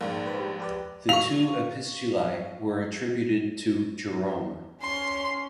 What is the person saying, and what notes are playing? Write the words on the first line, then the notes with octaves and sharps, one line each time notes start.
The two Epistulae were attributed to Jerome.
A#1 G#2 A#3
B4 C5 B5
G3
G4 B4 D5
F5 C#6 F7
C#4 C6